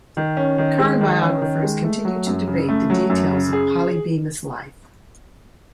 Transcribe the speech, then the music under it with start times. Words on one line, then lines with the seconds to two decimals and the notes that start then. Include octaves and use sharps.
Current biographers continue to debate the details of Polly Bemis' life.
0.17 D#3
0.37 C#4
0.58 D#3
0.79 G#3
1.01 D#3
1.22 C#4
1.42 D#3
1.63 G#3
1.84 A3
2.05 F#3
2.27 F#2
2.48 C#3
2.69 A3
2.90 F#3
3.10 F#2
3.31 C#3
3.53 G#4